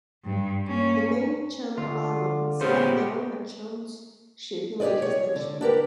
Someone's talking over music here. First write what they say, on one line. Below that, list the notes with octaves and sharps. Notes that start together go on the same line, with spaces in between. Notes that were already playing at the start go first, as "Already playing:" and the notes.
The main Channel Islands have their own Merchant Shipping Legislation.
G2
A#3 C#4
D3 F4
A#2 C#3 B3 G4 C5
G4 G#4 B4 D5 D#5
C#5
D3
D4 G4 A#4 B4